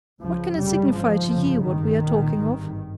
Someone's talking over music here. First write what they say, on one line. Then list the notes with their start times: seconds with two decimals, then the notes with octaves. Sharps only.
What can it signify to you, what we are talking of.
0.20 C#2 C#3 F3
0.55 F1 F2 C#3 G3
0.91 G#1 G#2 F3
1.28 G1 F2 C#3
1.63 G#1 G2 D#3
1.99 C2 A#2
2.35 G#1 G2